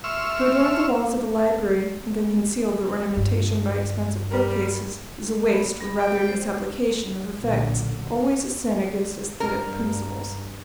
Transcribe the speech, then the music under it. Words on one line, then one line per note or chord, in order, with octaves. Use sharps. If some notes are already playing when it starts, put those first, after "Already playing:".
To adorn the walls of a library, and then conceal their ornamentation by expensive bookcases, is a waste, or rather a misapplication, of effects--always a sin against aesthetic principles.
E5 C6 C#6 E6 F6
G2
G3 A#4
B5
G3 B5
G5
C5
B1 A#2 D3 F#3 A#3
G2 A#4